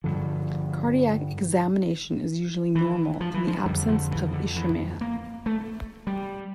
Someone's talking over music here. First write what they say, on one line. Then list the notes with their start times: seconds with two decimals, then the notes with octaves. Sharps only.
Cardiac examination is usually normal in the absence of ischemia.
0.04 G2 D3 F3
2.75 E3
3.21 F3
3.34 E3
3.48 F3
3.66 F2 G3
3.69 D3
3.88 F3
4.11 E3
4.33 D3
4.56 E3
5.01 A#3
5.46 A3
6.07 G3